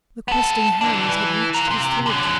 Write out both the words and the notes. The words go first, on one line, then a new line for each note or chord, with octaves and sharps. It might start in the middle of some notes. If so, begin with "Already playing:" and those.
The questing hands had reached his throat!
B3 A4
E3 D4
E3
F4 A#4
C3
D3 F#3